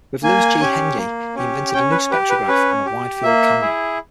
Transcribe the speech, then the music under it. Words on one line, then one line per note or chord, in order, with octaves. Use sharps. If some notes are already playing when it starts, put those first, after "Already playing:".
With Louis G. Henyey he invented a new spectrograph and a wide-field camera.
A#3 G#5
C#4 G4
A#3
C#4 G4
C#4 G5
B4
G4 B4
B4
C#4 B4
G4
A#3 E5
E4 G#4